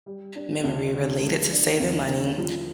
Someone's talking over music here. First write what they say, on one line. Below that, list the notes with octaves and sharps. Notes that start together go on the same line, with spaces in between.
memory related to saving money
G3
D4
D2
D3
G#3
D4
D#2
D3
F3